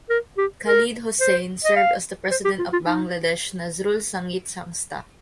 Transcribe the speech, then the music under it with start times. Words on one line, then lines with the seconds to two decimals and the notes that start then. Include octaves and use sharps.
Khalid Hossain served as the president of Bangladesh Nazrul Sangeet Sangstha.
0.10 A#4
0.37 G4
0.66 A#4
1.20 C5
1.64 D#5
1.76 F5
2.31 C5
2.45 G4
2.59 F4
2.73 F4
2.86 D#4